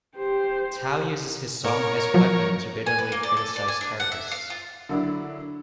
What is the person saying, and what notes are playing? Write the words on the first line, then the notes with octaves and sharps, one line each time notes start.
Tao uses his song as weapon to bitterly criticize terrorists.
G4 C5
A2 A#4 C#5 D7
F3 F#3
G#5
B4
A#3
D5
A4
D5
G#5
D4
F#5
E5
F5
F4
D3 F#3 D4 E4